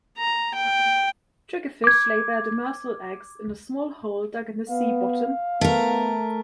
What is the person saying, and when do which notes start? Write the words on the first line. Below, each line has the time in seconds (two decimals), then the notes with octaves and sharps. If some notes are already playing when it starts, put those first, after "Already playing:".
Triggerfish lay their demersal eggs in a small hole dug in the sea bottom.
0.18 A#5
0.54 G5
1.84 D6 G#6
4.70 B3 F5
5.61 A3 B3 A#4